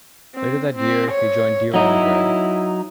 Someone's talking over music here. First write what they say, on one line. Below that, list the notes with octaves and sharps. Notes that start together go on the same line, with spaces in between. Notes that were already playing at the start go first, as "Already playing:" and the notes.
Later that year, he joined Dir en grey.
C4
C4
C#5
F#3 D#4 E4